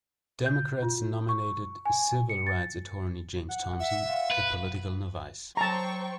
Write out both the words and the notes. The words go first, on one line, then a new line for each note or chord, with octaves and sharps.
Democrats nominated civil-rights attorney James Thompson, a political novice.
G6
F4
C#6
G#5
C#7
A6
F#5
E5
F5
B4
F#3 C5 G5 A5 A#5 C#6